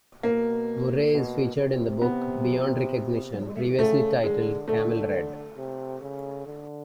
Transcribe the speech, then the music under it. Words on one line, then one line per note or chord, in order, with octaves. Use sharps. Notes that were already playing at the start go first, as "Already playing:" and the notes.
Murray is featured in the book "Beyond Recognition", previously titled "Camel Red".
B2 A#3
B2
C3
B3
C#3 A3
D3 G#3
D3 A3
C3
C#3
D3